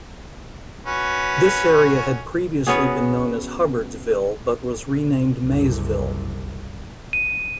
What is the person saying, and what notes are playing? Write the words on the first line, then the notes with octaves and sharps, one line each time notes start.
This area had previously been known as Hubbardsville but was renamed Maysville.
C#4 F#4 B4
B3 C#4 F#4 G#4
F#1 C2
D#7